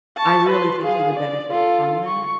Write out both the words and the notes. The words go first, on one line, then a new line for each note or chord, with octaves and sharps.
I really think he would benefit from that.
A5 C#6
B4 C6
G#4 F5
D5
F4 A4
C#6